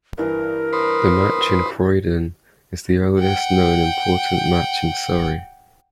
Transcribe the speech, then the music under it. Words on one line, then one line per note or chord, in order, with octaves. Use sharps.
The match in Croydon is the earliest known important match in Surrey.
G2 E3 A#4
B4 C5 D#6
F#5 G5